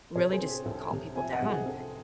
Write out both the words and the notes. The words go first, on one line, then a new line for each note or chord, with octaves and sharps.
really just calm people down,
C3 A4 C#5
G#4 C5
C4
G#4
C2 A4
C3
C4 E5 G#5
D#5 F#5
C3
G#4
C4 A4